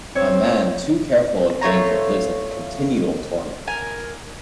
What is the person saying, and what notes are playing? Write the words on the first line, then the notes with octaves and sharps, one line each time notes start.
A man too careful of danger lives in continual torment.
C4 C#5
A3 F4 C#5 A#5
A#4 G#5